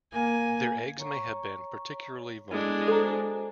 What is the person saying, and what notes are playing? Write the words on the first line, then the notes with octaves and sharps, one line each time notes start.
Their eggs may have been particularly vulnerable.
A#3 G#5
C#5 A#5 C#6
G#3 B3 D4 E4 A4
F#4 A4 C5 G#5 A#5